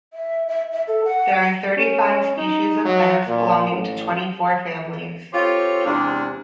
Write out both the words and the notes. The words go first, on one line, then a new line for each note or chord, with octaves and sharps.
There are thirty five species of plants belonging to twenty four families.
E5
E5
E5
A4
F#5
C#4
D#4
F#3
A#2
A1
C4 F4 G4 A4 C5 C#5
E2 C3 G#3 D4